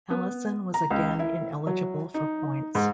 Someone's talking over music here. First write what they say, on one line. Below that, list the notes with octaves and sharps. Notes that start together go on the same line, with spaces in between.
Allison was again ineligible for points.
B3
A#5
C#2
E4
F#3
D#4
G#2